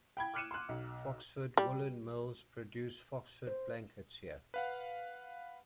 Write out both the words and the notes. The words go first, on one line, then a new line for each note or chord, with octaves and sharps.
Foxford Woollen Mills produce Foxford blankets here.
G5 B5 G#6
D6 F6 F#6 C#7 D#7 E7
C6 F#6
B1
G3
C5
B4 F5 F#5